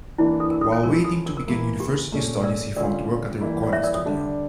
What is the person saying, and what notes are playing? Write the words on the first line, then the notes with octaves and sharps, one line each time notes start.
While waiting to begin university studies he found work at a recording studio.
E3 A#3 D4 E4
A4
A#4
A4
A4 C#5
F3 C#4 E4 A#4
A#4
A4
A#4
A#4
E3 A#3 E4
G4
A#2 A3 C#4
A#4 D5
D3 G3 C#4 F4 A#4 D5
E3 G3 A#3 E4
D5
C#5 E5
A#4 D5
A4 C#5
D3 G3 D4